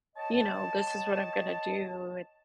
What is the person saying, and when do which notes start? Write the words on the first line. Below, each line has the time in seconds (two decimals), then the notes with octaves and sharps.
you know, "This is what I'm gonna do," and
0.16 C#5 D#5 G5 A5